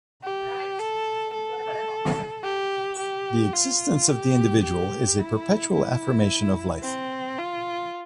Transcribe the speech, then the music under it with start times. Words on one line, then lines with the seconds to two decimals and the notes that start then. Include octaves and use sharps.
The existence of the individual is a perpetual affirmation of life.
0.24 G4
0.79 A4
1.34 A4
2.43 G4
2.98 G4
3.53 F4
4.09 G4
4.63 G4
5.19 E4
5.73 E4
6.83 C4
7.39 F4